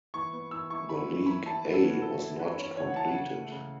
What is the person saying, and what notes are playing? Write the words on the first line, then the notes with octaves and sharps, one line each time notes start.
The league A was not completed.
E3 C#6
B3
E3 E6
E4 C#6
E3 B5
B3
E3 B5
E4 A5
E3 F#4
A4
C#4 B4
F#4
E3 A4
E4
E3 B4
C#4 C#5
E3 C#5
F#5
E4 A5
F#5
C#3
A3
C#3